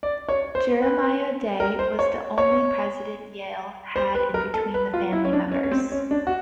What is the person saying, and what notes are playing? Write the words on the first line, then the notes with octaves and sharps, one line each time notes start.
Jeremiah Day was the only president Yale had in between the family members.
D5
C#5
C5
B4
A#4
C5
C#5
C#5
C5
B4
A#4
A4
B4
F4
E4
C#4
D4
C#4
C#4
C4
C#4
D4
F#4